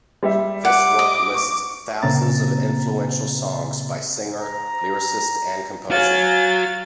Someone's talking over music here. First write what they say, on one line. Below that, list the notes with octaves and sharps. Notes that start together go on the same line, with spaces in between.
This work lists thousands of influential songs by singer, lyricist and composer.
G3 G4 E5
F#5 D6
D#5
C#6
A#2 C#3 A#3 C4 A#5 A6
A#5
F#4 C#5 F5 G#5 A6